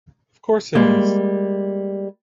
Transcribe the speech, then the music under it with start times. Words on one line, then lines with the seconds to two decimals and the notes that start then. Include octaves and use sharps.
Of course it is!
0.75 G3 G#3 A#3